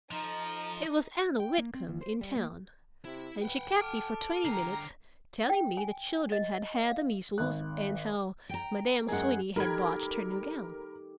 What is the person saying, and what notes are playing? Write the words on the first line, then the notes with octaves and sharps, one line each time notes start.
It was Anna Whitcomb, in town, and she kept me for twenty minutes, telling me the children had had the measles, and how Madame Sweeny had botched her new gown.
F3 D#4 A4 A#5 D#6
G5
A#3
C4
D#2
C5
G3
A#3
C3 E4
B4 F#5 G5
A4 D6 F6 D7
D3 G5 A#5 C7
G5
G#5
D#5
F5
G#1 F#6
G5 A#5
F#2 G#3 G#4 A#4 F#5
D#4 G4 A4 A#4 B5 G#6